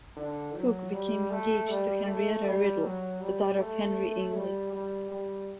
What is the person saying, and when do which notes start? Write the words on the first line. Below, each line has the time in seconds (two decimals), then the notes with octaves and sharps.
Cooke became engaged to Henrietta Riddle, the daughter of Henry Ainley.
0.16 D3
0.55 F#3
0.92 G3
1.30 A3
1.69 G3
2.07 A3
2.45 G3
2.83 F#3
3.21 G3
3.58 A3
4.35 G3
4.73 G3
5.11 G3